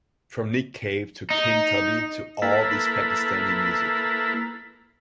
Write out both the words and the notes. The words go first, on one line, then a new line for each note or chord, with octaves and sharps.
From Nick Cave to King Tubby to all this Pakistani music.
D#4
A#3 E4 A4 B4